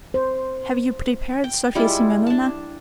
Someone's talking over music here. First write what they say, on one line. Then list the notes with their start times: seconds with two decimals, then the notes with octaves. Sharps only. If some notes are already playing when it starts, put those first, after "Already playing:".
"Have you prepared Sofya Semyonovna?"
0.14 C5
1.44 G5
1.75 G3 G#3 E4 F4
2.27 D4 A5